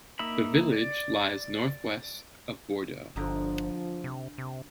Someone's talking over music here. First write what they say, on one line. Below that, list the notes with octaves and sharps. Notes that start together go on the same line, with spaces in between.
The village lies northwest of Bordeaux.
A#3 D#4 E5 B5
D5
G1 D3 F3 D#4
C3
C3